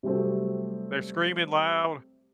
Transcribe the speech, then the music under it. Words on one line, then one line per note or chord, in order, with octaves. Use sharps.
They're screaming loud.
C3 F#3 G3 A3 C4